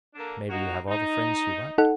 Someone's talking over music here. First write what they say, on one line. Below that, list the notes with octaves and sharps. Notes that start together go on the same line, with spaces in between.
But maybe you have all the friends you want.
D3 A#3 D4
A#3 D#4 F#4
D#4
D#4 A4 F#5